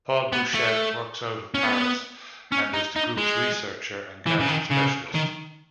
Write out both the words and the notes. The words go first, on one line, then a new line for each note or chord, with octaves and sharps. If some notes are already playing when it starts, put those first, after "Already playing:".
Paul Buchet works out of Paris, and is the group's researcher and gadget specialist.
B3
A3
C#4
B3
C#4
D#4
D#4
G#3
E3
C#3
D#3
C#3
D#3